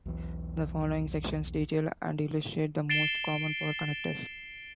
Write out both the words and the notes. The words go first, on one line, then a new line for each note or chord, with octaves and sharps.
The followin sections detail and illustrate the most common power connectors.
B1 E2 E3
A6 C7 D7 E7 G7